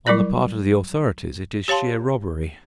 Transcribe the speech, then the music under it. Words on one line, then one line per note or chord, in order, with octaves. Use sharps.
On the part of the authorities it is sheer robbery.
F#3 G3 E4 A#4 D5
G4 C#5 F5 A5 C6